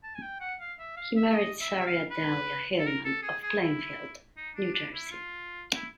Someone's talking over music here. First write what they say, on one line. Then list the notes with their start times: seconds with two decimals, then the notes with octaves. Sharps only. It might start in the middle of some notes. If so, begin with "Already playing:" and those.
He married Sarah Delia Hilman of Plainfield, New Jersey.
0.03 A5
0.15 G#5
0.22 G5
0.41 F#5
0.60 F5
0.79 E5
0.97 F5
1.17 E5
1.30 E5
1.35 D#5
1.61 E5
1.80 E5
1.86 F5
2.11 B4
2.78 A4
2.87 A#4
3.05 A4
3.23 G#4
3.43 G#4
3.62 E4
4.37 D#4
4.56 D4
4.74 D4
4.94 E4
5.12 F4
5.75 E4